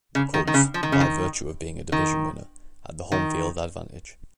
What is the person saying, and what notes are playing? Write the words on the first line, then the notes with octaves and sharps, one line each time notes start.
The Cubs, by virtue of being a division winner, had the home field advantage.
C#3
D#3
D#3
C#3
F3
D#3
C#3
D#3
D#3
D#3